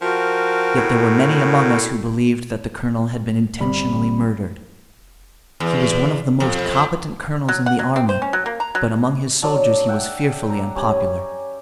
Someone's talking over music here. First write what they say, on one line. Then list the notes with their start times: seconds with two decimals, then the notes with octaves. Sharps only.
Yet there were many among us who believed that the colonel had been intentionally murdered. He was one of the most competent colonels in the army, but among his soldiers he was fearfully unpopular.
0.01 F3 F#4 A#4 G5
0.77 A2
3.60 G1 G3 C4 B5
5.60 E2
6.40 F2
7.49 F#3
7.66 F#5
7.79 F#3
7.96 C4
8.09 C5
8.22 C#4
8.33 F#3
8.46 A#3
8.60 A#5
8.75 F#3
9.42 F#3 D4
9.87 E5 F#5 G5
10.50 A#5
10.75 C#4 G4 G#5